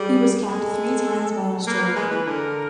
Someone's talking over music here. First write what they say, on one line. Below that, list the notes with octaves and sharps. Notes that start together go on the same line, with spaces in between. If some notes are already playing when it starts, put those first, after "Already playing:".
He was capped three times by Australia.
Already playing: G3 G#4
G#3 A4
A#3 B4
A#3
G#3
E3
D3 A#4